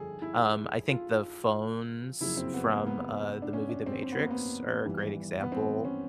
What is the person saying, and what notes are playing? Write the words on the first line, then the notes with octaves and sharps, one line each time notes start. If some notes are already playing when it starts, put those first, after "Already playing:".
um, I think the phones from, uh, the movie The Matrix are a great example.
Already playing: G1 F2 C#3 G#4 A4
E4
F4
F#1 F2 C#3 F#3 A#3 E4
C4
B3
A#3
B3
D4
C#4
D4
C4
C4
B3
A#3
B3
G#1 G2 E3 G3
B3
C4
C#4